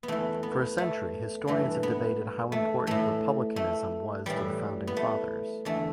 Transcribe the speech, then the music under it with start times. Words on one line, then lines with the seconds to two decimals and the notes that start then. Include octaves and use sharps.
For a century, historians have debated how important republicanism was to the Founding Fathers.
0.03 B3
0.08 E2 E3 A3
0.43 B3
0.78 A3
1.48 G2 E3 A3
1.83 B3
2.52 A3
2.87 A2 E3 A3
3.56 A3
4.26 A2 E3 G3
4.87 B3
4.97 A3
5.65 E2 D3 A3